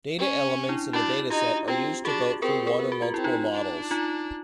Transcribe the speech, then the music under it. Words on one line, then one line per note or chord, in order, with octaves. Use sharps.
Data elements in the dataset are used to vote for one or multiple models.
C#4
D4 E4
D4 E4 F#4
D#4 F4 G4
C4 F4 G4
D4 F#4 G#4
C4 G#4 A#4
G#4 A#4
B3
F#4
F4
C4 E4
D#4 F4
D4
D#4 F4